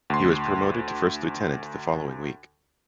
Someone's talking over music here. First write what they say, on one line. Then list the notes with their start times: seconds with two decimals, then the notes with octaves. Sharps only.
He was promoted to first lieutenant the following week.
0.10 D2 C6